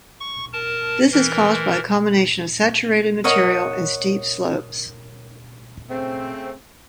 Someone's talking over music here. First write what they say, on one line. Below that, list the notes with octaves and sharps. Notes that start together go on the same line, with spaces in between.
This is caused by a combination of saturated material, and steep slopes.
C#6
A#4 A5
E3 A#4
A#4 C#5 D#5 F#5
C#3 A3 C4